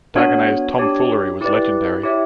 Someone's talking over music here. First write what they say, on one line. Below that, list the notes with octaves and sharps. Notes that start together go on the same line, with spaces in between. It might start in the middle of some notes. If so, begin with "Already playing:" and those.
Dagonet’s tom-foolery was legendary.
B3 D4 F#4 C#5
D4 G4 C#5
E4 G4 B4 D5
E4 G4 C#5 E5